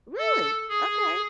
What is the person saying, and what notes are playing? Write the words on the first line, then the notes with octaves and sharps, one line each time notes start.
Really? Okay.
A4
G#4